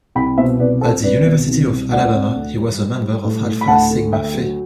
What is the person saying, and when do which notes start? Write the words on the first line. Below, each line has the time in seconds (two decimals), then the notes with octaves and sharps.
At the University of Alabama he was a member of Alpha Sigma Phi.
0.15 C2 G5 B5
0.37 B2 C5 E5
0.59 C2 B4 D5
0.81 G3 A4 C5
1.04 C2 B4 D5
1.26 B2
1.48 C2
1.70 G3
1.91 D2 D5 F#5
2.14 C3
2.36 D2
2.58 G3
2.80 G3
3.02 G3
3.24 A2
3.46 A2
3.61 B5
3.68 D2 F#5 A5
3.90 D3
4.12 D2 E5 G5
4.34 F#3